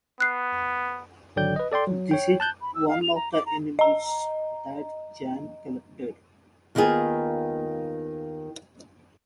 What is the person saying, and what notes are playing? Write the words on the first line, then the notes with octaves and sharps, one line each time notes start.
This is one of the animals that Chan collected.
B3 F#6 C7
G#1 D3 F#3 D5 G5 G6
B4 D#5
A4 D5 G5 C6
F#3
C#5 G5
A5 F#6 G6
B5
E6
F5
F7
A#5
D6
A#5
D#5 A#5
D#2 D#3 B3 F4 G#4